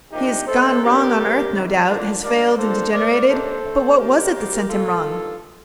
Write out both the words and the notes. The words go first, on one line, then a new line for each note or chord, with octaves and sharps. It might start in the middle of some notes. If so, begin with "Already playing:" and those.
He has gone wrong on earth, no doubt, has failed and degenerated, but what was it sent him wrong?
C3 F3 A#3 D4 D#4 G4
G2 D#3 A3 A4 C5
A2 G3 D4 G4 A#4
C3 G3 C4
C3 D#3 G3 C4
A2 F3 A#3 D4
G2 D#3 G3 A#3 D4 A#4 D5
C3 F3 A#3 D4 A4 C5
A2 A3 C4 A#4 D5
C3 D#3 A#3 D4 A4 C5
D3 A3 C4
D3 F3 C4 G4 A#4
C3 G3 A#3
A#2 F3 A3 F4 A4
G2 D#3 A#3